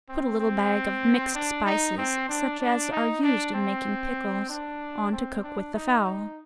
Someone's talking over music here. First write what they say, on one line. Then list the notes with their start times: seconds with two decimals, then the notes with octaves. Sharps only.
Put a little bag of "mixed spices," such as are used in making pickles, on to cook with the fowl.
0.09 C4
0.40 C4
1.35 D4
1.66 D#4
1.98 C4
2.29 D4
2.60 D4
2.92 D#4
3.23 D4
3.54 C4
4.49 D4
5.12 C4
5.43 D4
5.74 D#4
6.07 D#4